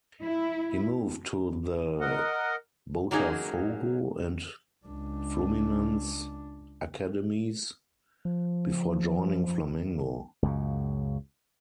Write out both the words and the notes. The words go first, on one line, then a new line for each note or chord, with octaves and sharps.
He moved to the Botafogo and Fluminense academies before joining Flamengo.
E4
A#4 D#5 F#5
F#3 A#3 C#4 D#4 G#4
C#2 D4
F3
C#2 F#2 C#3